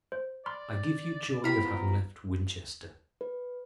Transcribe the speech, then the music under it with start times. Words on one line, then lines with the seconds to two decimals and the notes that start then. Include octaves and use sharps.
I give you joy of having left Winchester.
0.12 C5
0.46 D5 B5 C6 F6
1.44 B3 C4 E4 F4 A#4 B5
3.21 B4